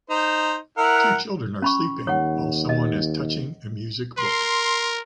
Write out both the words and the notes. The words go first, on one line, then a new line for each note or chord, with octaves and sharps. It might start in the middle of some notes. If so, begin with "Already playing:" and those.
Two children are sleeping while someone is touching a music book.
D#4 C5
E4 A#4 F#5
C#4 B5 C#6
D#2 C#5 F#5
D#5
A#4 C6